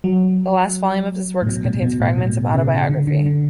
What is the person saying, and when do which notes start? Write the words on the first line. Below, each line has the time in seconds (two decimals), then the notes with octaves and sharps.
The last volume of his works contains fragments of autobiography.
0.04 F#3
1.42 A2
1.47 B2
1.65 B2
1.82 B2
2.00 A2
2.18 B2
2.54 C#3
2.90 D3
3.07 D3
3.26 D3